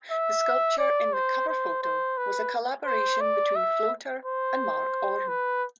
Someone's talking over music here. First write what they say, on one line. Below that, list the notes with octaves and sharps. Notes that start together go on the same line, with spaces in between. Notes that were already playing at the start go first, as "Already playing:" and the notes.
The sculpture in the cover photo was a collaboration between Floater and Mark Orme.
E5
D5
C5
C5
C5
B4
C5
D5
E5
C5
B4